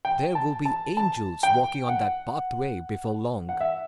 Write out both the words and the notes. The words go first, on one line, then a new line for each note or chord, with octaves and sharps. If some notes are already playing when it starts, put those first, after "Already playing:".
There will be angels walking on that pathway before long!
G5
A5
A5
A5
G5
F#5
F#5
E5